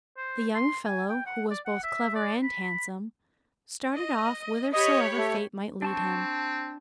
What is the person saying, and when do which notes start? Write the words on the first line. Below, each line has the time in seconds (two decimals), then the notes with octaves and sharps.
The young fellow, who was both clever and handsome, started off whithersoever fate might lead him.
0.17 C5
0.55 C6
0.86 G#5
1.10 G5
1.26 F#5
1.51 D5
1.65 F#5
1.84 E5
2.15 D5
2.43 B5
2.63 B5
3.94 D#5
4.73 G4 C#5 D#5 B5
5.17 A3
5.82 C4 D4 A5 C#6